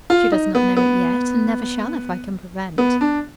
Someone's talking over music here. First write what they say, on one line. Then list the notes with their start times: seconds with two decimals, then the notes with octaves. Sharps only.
She does not know it yet, and never shall if I can prevent.
0.10 F4
0.32 D#4
0.55 B3
0.77 B3
2.78 B3
3.01 D4